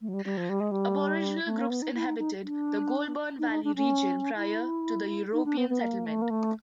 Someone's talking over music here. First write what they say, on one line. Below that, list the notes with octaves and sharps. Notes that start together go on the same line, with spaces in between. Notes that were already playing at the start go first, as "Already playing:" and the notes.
Aboriginal groups inhabited the Goulburn Valley region prior to European settlement.
A3
F#3
G3
G3
F3
G3
G#3
G3
A3
A#3
B3
D#4
E4
D#4
D#4
D4
D#4
D4
D#4
D4
C#4
E4
D#4
D4
B3
B3
A#3
A3
A#3
A3